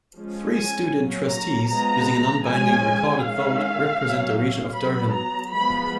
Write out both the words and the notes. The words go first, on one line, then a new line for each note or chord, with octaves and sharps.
Three student trustees, using a non-binding, recorded vote, represent the region of Durham.
F3 G#3 C#4
G#5
F#3 A#3 C#4
A#5
F3 G#3 B3 A#5
F3 G#3 C#4 G#5
D#3 G#3 C#4 F5
F#3 A#3 C#4
F#3 B3 B5
A#5
F3 G#3 B3 B5